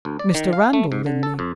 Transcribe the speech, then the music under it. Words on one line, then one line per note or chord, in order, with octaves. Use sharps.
"Mr. Randal Linley."
D2
D5
D#3
F5
A3
G#2
D3
A4
F2